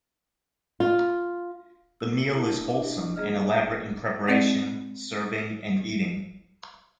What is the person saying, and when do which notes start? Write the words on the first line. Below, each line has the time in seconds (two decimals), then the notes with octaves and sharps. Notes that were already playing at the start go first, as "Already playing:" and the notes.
The meal is wholesome and elaborate in preparation, serving and eating.
0.80 F4
2.00 E6
2.33 A3 D4 E4
2.68 D4 D#5
3.16 A#3 G#4 D#5 F6
4.28 G#3 C4 B4 D5 D#5